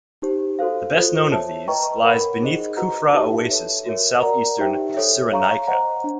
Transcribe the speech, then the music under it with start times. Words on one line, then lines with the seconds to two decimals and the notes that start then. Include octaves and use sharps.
The best known of these lies beneath Kufra Oasis in southeastern Cyrenaica.
0.22 D#4 G4 C5
0.59 F#4 A4 C5 F5
0.95 F4 A4 C5
1.31 C#5 E5 A5
1.68 B4 D#5 G5 A#5 C#6
2.04 A#4 C#5 F#5 B5
2.40 D#4 G#4 C5 D#5
2.77 F#4 B4 D#5 F#5 A#5
3.13 D#4 G4 B4 E5 A5
3.49 A4 C#5 E5
3.86 F#4 A#4 C#5 E5
4.22 A#4 D5 F#5 A#5
4.59 D#4 G4 C5 E5 G5
4.94 A4 C#5 E5
5.31 C#5 F5 A#5 C#6
5.67 C5 D#5 F#5 A#5
6.04 D4